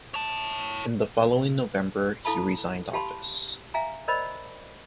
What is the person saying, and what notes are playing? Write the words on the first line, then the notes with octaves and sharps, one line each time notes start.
In the following November he resigned office.
C#5 A5
E4 A4 F5 A5 B5
G4 F5 A5 B5 C6
E5 F5 G#5 A#5
A#4 C5 D5 D#5 B5